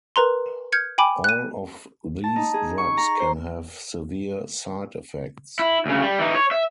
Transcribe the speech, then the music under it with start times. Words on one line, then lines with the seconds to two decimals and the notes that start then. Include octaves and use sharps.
All of these drugs can have severe side effects.
0.16 A#4 B4 A#5 C6
0.72 F6 G6 G#6 C#7
0.98 G5 G#5 B5 D6
1.24 F#6 D#7
2.24 A5
2.36 D#4
2.54 G#4
2.78 C#6
2.97 A#5
3.20 C5
5.59 E4
5.86 D2 C#3
6.02 G3
6.19 E3 D#4
6.35 C#5
6.51 E5